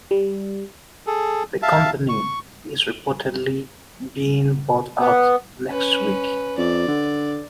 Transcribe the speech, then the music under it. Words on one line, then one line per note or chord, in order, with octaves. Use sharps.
The company is reportedly being bought out next week.
G3
G#4 A4
E5 F5 A5
C#6
B3
C#4 B4
F2 D5
D3